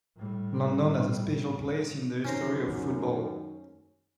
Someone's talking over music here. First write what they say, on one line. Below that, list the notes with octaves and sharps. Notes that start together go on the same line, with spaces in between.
London has a special place in the history of football.
A2 G3
F#2 D#3 C#4 C5 A#5